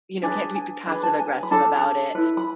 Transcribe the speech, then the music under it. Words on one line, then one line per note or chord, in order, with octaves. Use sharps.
you know, can't do it be passive aggressive about it
D4 G#4 B4 G#5
G#5
D4 G#4 B4 B5
A5
G#5
B5
D4 A4 A5
E4 B4
B5